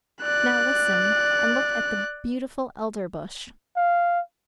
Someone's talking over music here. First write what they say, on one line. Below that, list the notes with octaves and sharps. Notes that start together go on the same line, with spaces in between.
Now listen, and look at the beautiful Elderbush.
D5 F#6
F5